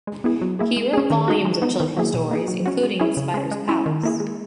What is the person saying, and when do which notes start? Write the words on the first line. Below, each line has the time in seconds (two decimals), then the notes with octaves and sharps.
He wrote volumes of children's stories, including "The Spider's Palace".
0.07 G#3
0.24 B3 E4 G#4
0.42 F#3
0.59 A#3 E4 G#4
0.77 G#3
0.93 C#4 G#4
1.10 D#3
1.28 G#3 D#4 F#4
1.45 G#3
1.62 B3 D#4
1.80 D#3
1.97 F#3 A#3 E4 G#4
2.14 B2
2.31 A#3 D#4 G#4
2.48 F#3
2.66 C#4 F#4
2.83 G#3
3.00 C#4 E4 G#4
3.17 C#3
3.34 G#3 C#4
3.51 G#3
3.69 C#4 E4
3.86 D#3
4.03 A#3 E4 G#4
4.20 G#3